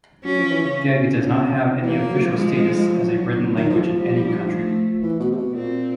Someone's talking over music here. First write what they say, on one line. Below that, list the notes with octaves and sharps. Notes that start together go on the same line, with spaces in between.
Gheg does not have any official status as a written language in any country.
F#3 C#4
F3
E3
C#3
E3 A#3
F3
F#3
F3
G#3
F#3
D#3
F3
F3
F3 G3
A3
E3
B2
C3
B2
A#2 C4